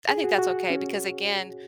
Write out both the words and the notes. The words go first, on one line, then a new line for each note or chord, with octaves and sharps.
I think that's okay, because again,
G#4
F#4
F#4
C#4